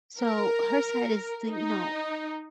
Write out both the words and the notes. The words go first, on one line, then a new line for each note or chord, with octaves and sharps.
So, her side is the, you know
A#4
D#4